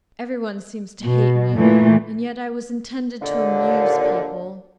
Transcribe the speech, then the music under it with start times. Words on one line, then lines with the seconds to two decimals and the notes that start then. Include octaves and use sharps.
"Everyone seems to hate me, and yet I was intended to amuse people."
1.05 B2
1.55 A#2 E3 A3
3.21 D#2 A#2 D3